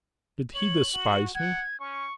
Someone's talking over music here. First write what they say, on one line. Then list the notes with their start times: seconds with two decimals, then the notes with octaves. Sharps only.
Did he despise me?
0.54 C#5 F#7
0.93 F#4
1.35 F#5 G#6
1.80 C#4 C#6